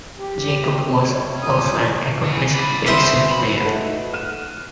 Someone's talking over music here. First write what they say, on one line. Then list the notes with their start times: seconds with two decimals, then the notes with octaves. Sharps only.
Jacob was also an accomplished bassoon player.
0.18 G4
1.08 D3 F3 G3 A3 C#5
1.42 A#2 C#3 F3 C#4 D#6
2.24 E3 B3
2.50 B4 D5 B5
2.86 F#4 G#4 B4 C5 E5
3.30 B5
3.63 A3 D#4 F#4 A4 B4
4.14 F6 F#6 D#7 E7